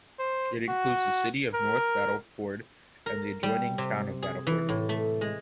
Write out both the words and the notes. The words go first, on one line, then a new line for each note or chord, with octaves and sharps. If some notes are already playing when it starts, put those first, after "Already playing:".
It includes the city of North Battleford and the adjoining town of Battleford.
C5
F#4
A#4
A#4
G3
C3
G#4
E3
A2
A3
G#3